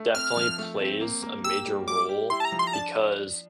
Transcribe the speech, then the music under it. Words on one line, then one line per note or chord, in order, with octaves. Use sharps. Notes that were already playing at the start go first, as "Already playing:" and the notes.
definitely plays a major role because
Already playing: A3
C4 F6
F3
A3
C4
A#3
A#3
G4 E6
G3
G3 D6
G4
E4 C6
A5
A#5
F3
C6
A#5
D4 A5